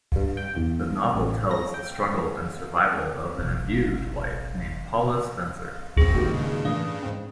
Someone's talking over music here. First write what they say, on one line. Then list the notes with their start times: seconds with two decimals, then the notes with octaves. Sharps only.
The novel tells the struggle and survival of an abused wife named Paula Spencer.
0.16 G2
0.37 G5
0.56 E2
1.14 A1
1.51 A#6
1.74 G5
3.39 F#1 B1
5.97 F#2 A2 C4 G#4
6.15 A#2 D#3 G#3 F#4 G4
6.34 G2 C#3
6.65 A2 E3 A3 D4 F5 D#6
7.03 G#2 C4